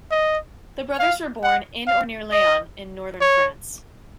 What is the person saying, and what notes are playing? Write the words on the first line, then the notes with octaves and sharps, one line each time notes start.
The brothers were born in or near Laon in northern France.
D#5
F5
F#5
F5
D#5
C#5